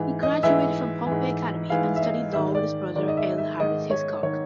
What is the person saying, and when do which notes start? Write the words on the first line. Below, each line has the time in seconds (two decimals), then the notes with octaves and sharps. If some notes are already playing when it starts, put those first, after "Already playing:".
He graduated from Pompey Academy and studied law with his brother L. Harris Hiscock.
Already playing: G#2 E3
0.23 D#5
0.43 G#2 E3 E5
1.07 G#2 E3
1.70 G#2 E3 F5
1.96 E5
2.02 D#5
2.33 G#2 D#3 E5
2.55 D5
2.96 G#2 D#3 D5
3.08 D#5
3.17 E5
3.38 E5
3.60 G#2 D#3 D#5
3.90 C#5
4.23 D#3 C#5